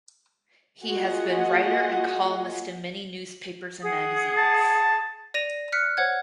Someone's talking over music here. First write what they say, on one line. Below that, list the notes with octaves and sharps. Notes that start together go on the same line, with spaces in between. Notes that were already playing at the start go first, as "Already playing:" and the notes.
He has been writer and columnist in many newspapers and magazines.
A#3 F4 F#4 G#4 D#5 F#5
G#4 F#5 D#6
A5
D5 A#6 D#7 F7
F6 F#6 B6 C#7
C5 C#5 F#5 G#6